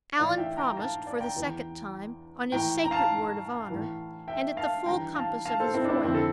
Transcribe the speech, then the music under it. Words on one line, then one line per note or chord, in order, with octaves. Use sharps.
Allan promised for the second time, on his sacred word of honor, and at the full compass of his voice.
A2 E3 D5 F5
E5 G5
G5 A#5
F5 A5
D5 F5
G5 A#5
E2 E3
A2 E3 G5 A#5
A#5
F5 A5
A2 E3
E5 G5
F5 A5
G2 E3 G5 A#5
F5 A5
F5 A5
A4 C5
C4 E4
D4
C4 E4
F2 D3 C4 E4
A4